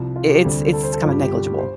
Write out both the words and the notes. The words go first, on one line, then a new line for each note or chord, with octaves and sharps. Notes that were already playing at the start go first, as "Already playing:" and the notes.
i it's it's kinda negligible.
Already playing: C2 C3 F3
F4
G4
D2 D3 G3 C4
A4
C5
A4
G1 G2 F3 F4
G4
G4
C5